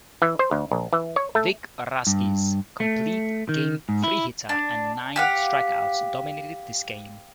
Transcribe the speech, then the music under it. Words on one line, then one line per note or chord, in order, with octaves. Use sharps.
Vic Raschi's complete-game three-hitter and nine strikeouts dominated this game.
E3
C5
D2
A#1
E3
C#5
A3
G2
A3
D#3
G#2
E4
D4
G4 F5 F#5